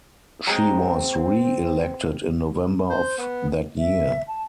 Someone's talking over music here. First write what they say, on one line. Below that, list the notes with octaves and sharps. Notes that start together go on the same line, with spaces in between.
She was re-elected in November of that year.
F#3 G#3 C4 G#4 G5 A#5
C5
B3
E5
A5